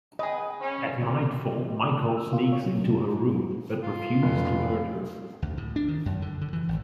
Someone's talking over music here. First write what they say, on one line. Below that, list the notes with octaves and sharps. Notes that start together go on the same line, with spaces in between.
At nightfall Michael sneaks into her room, but refuses to hurt her.
G#4 B4 D#5
C#4
E6
F4
C#5
F#3
F4
F1
D2
A2
D4
D#3
F#2
D3
D3
E3
G#1